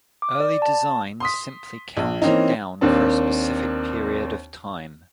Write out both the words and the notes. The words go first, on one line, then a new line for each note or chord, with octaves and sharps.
Early designs simply counted down for a specific period of time.
D6
D5
A5
C6 D#6 B6
A#1
E3 A#3 C4 C#4 D#4
D#2 A#3 C4 D4